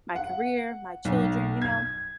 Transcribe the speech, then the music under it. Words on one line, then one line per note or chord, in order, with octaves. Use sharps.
my career, my children, you know?
F#5
B1
G#6